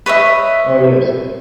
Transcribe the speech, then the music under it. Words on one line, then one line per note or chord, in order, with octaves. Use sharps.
Oh, yes.
B4 C#5 D#5 E5